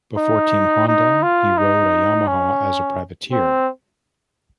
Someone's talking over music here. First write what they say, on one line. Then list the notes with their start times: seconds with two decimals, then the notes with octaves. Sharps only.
Before team Honda, he rode a Yamaha as a privateer.
0.17 D#4
0.87 D#4
1.23 F4
1.58 D#4
2.27 C#4
3.32 C4